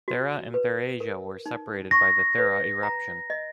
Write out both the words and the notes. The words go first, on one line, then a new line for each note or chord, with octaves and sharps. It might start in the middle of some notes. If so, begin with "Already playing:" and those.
Thera and Therasia were separated by the Thera eruption.
F#4
B4
A#4
D#4
C#6 A#6
B4
A#5
D#5